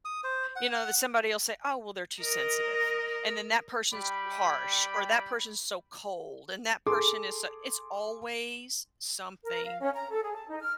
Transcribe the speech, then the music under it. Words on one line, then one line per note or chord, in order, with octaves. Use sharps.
you know, that somebody'll say, "Oh, well, they're too sensitive," and then, "That person's too harsh," or, "That person's so cold," and, "That person is s" it's always something
D#6
C5
F#5
F#5
A#4 D#5
G3 D5 G5 B5
G#4 A4 C6 D6
A#4
F5
C#4
A#5
A4
G#4
A5
D#4
F6